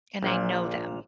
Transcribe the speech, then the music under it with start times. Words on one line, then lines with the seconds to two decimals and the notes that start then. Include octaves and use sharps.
and I know them,
0.23 A#1 A#2